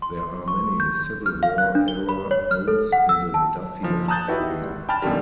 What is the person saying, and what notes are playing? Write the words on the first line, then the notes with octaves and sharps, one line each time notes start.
There are many Civil War-era homes in the Duffield area.
C6
C#6
G6
F6
F5
F#6
D4
G7
B5
C#5
F6
A4
F#5
E6
A5
F#1 F3
A5 A#5 D#6 F#6 G6 A6
D#4 E4 F#4 G4 B4 D#5
G#1
G5 A5 B5 F6 A6
F#2 B2 D3 D#3 G3